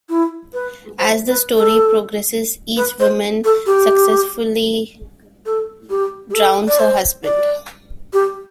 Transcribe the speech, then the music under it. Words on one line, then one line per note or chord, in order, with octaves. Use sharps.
As the story progresses, each woman successively drowns her husband.
E4
B4
C5
B4
A4
B4
C5
A4
G4
A4
G4
G4
A4
D5
C5
D5
G4